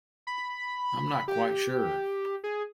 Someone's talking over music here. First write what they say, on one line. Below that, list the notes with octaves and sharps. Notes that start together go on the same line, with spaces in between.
I'm not quite sure.
B5
G4
G#4